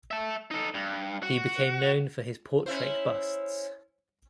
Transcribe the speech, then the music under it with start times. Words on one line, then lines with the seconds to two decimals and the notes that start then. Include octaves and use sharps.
He became known for his portrait busts.
0.11 E5 A5
0.51 D#4 A4
0.74 G2
1.23 F#4
2.66 C#4 E4 C5